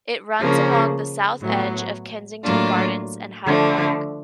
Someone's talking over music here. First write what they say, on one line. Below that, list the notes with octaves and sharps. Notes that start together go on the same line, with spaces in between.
It runs along the south edge of Kensington Gardens and Hyde Park.
C#3 F3 A#3
A2 F#3 B3
A2 F#3 A#3 D4 F4
D3 F3 A3